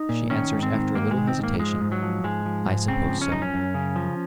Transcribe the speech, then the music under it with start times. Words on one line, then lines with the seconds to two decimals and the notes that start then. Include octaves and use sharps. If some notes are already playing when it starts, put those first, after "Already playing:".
She answers, after a little hesitation, 'I suppose so.
Already playing: D#4
0.09 A#2
0.30 D#3 C#4
0.52 G#2
0.63 C4
0.73 D#3
0.95 G#2 A#3
1.11 G#3
1.17 D#3
1.27 C4
1.38 G#2
1.43 A#3
1.59 F3 G#3
1.81 G#2
1.92 F#3
2.03 F3
2.24 G#2 G#3
2.46 F3
2.67 G#2
2.88 C#3 C4
3.10 F3
3.22 C#4
3.32 F#2 D#4
3.42 C#4
3.54 F#2
3.74 C#3
3.96 F3